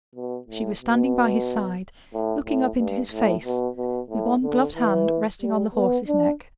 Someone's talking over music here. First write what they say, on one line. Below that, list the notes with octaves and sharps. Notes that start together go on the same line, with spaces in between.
She was standing by his side, looking up into his face, with one gloved hand resting on the horse's neck.
B2
A2
B2
A2
A2
G2
A2
B2
B2
A2
D3
E3
G3
B3
D4